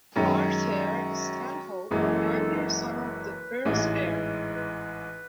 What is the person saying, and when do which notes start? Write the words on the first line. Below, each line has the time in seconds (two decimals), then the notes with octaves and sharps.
Arthur Stanhope, younger son of the first Earl.
0.15 F#2 D#3 G#3 C#4 F#4
1.90 F#1 F#2 E3 G#3 G#4
2.12 A4
2.34 A4
2.56 B4
3.65 A1 G#2 E3 G#3
4.53 B4